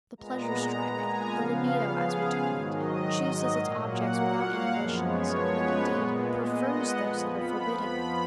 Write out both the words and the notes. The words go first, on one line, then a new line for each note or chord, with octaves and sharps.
The pleasure-striving--the libido, as we term it--chooses its objects without inhibitions, and indeed, prefers those that are forbidden.
A#2 G#3 B3 A#5
G#5
C#3 F3 B3 F5
G#4
G#2 D#3 F#3
D#5
A#2 F#3 A#3 F5
F#5
F#5
F5
F#2 F3 G#3 B3
C#5
C#5
B4
A#2 G#3 B3
D#5
F#5
F2 F3 B3 G#5
B5
B5